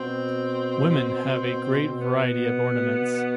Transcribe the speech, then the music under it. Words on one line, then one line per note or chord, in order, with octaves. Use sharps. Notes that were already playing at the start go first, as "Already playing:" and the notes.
Women have a great variety of ornaments.
Already playing: B2 C4
B3
B2